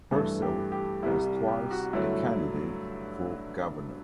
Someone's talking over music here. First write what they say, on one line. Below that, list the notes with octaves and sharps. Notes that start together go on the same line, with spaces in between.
Purcell was twice a candidate for governor.
G2 E3 A3 A4
G4
G4
C2 C3 G3 E4
G4
F#4
G2 D3 F#3 A3 E4